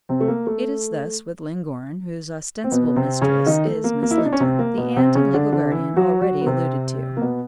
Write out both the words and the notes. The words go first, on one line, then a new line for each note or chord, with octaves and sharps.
It is thus with Llangorren, whose ostensible mistress is Miss Linton, the aunt and legal guardian already alluded to.
C3 C4
A3
A#3
A3
C4
B2 B3
C3 C4
C#3 C#4
D#3 D#4
A3
A#3
A#3
E4
D#4
D4
C#4
C3 C4
A#3
B2 B3
C3 C4
C#3 C#4
D3 D4
D3 D4
E3 E4
F#3 F#4
F#3 F#4
B3
C3 C4
A#3
B2 B3